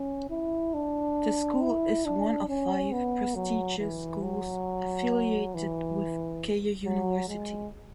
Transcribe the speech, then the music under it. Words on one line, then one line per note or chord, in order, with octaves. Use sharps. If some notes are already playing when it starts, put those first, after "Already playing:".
The school is one of five prestigious schools affiliated with Keio University.
Already playing: C#4
E4
D4
E4
D4
C#4
B3
F#3
E3
F#3
E3
F#3
G#3